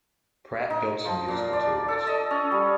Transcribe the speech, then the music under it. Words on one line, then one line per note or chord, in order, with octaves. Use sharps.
Pratt built some useful tools.
D#4
F3
A#2
D5
A4
D#5
C#4
G3